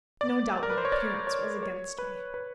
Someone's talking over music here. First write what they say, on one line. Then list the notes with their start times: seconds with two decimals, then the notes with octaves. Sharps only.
No doubt my appearance was against me.
0.21 D5
0.63 A#4
0.70 B4
0.77 C5
0.85 C#5
0.92 D5
1.27 C#5
1.63 C#5
1.98 B4
2.34 B4